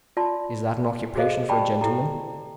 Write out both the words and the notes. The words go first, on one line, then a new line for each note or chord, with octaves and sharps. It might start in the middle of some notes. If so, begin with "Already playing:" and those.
Is that an occupation for a gentleman?
F4 D5 A5 C6
F#4 G#4 A4 C5 D#5 F5
G4 D5 G5 A5 B5
E4 G4 A4 A#5